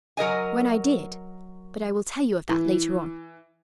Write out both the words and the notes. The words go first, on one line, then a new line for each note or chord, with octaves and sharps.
When I did--but I will tell you of that later on.
F#3 A#4 D#5 G#5
E3